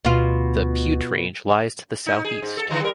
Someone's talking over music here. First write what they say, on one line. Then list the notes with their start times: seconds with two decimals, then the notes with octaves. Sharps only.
The Piute Range lies to the southeast.
0.05 D2 B2 F4
2.06 D#4
2.25 G#4
2.42 G#2
2.57 A4
2.70 D3 E3 G#3
2.81 G3 A#4